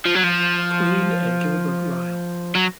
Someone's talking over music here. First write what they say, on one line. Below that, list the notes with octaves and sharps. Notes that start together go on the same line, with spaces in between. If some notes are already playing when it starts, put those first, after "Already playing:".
Quine and Gilbert Ryle.
F3
F#3
F3
F#3